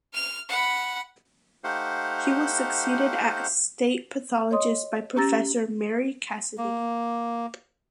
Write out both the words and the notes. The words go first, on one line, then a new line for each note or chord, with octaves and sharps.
He was succeeded as State Pathologist by Professor Marie Cassidy.
F6 F7
F#5 B5
A3 D#4 G4 C5 F5 F#5
C#5 D#5 C6 D#6
C#4 G4 A#5 E6 A6 A#6
A#3